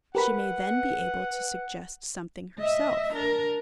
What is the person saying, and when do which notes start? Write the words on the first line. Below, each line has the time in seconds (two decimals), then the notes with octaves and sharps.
She may then be able to suggest something herself.
0.15 G4 A#4 B4 F#5 B5
2.59 D#5 E5
3.13 D4 A#4